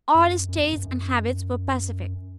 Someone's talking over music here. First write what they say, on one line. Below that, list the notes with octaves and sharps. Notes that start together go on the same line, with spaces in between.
All his tastes and habits were pacific.
F#2
F#2
E2
F#2
G2
F#2